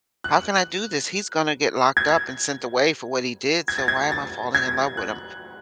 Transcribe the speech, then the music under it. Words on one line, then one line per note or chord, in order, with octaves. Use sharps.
how can I do this? He's gonna get locked up and sent away for what he did, so why am I falling in love with him?"
F#6
G#6
G#6
A6
G#6
A6
G#6
F#6